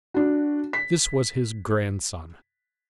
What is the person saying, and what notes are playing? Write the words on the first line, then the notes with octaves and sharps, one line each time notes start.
This was his grandson.
D4 F#4
B6